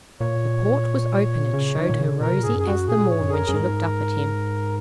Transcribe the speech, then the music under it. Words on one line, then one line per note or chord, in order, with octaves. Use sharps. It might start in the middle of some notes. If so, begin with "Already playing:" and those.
The port was open and showed her rosy as the morn when she looked up at him.
A#2 C#5
C#3
D#3
A#2
C#3
A#2 A#4
C#3
A#2
G#2 G#4
F#2 G#4
F#4
A#2 G#4
G#2 C#5
F#2
G#4
A#4
F#2 G#4
G#2 A#4